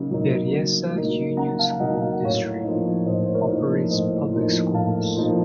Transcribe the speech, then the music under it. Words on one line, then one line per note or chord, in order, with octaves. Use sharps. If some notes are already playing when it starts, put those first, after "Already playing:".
Berryessa Union School District operates public schools.
Already playing: C#3 F#3 A#3 D#4
F#3 A#3 D#4
C#3
F#3 A#3 D#4
C#3 F#5 A#5
F5 A5
F#3 A#3 D#4 D#5 F#5
F5
F#5
A2 C#5 F5
F3 A#3 D#4
A2 C5 D#5
C5
A#4 C#5
F3 A#3 D#4
A2 C5 D#5
F3 A#3 D#4
A2 F5 A5
F3 A#3 D#4